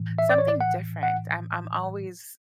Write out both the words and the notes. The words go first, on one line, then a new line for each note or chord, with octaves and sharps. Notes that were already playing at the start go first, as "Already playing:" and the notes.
Something different. I'm I'm always
Already playing: A2 E3
E5
D5
C#5
D5
F#5
F#5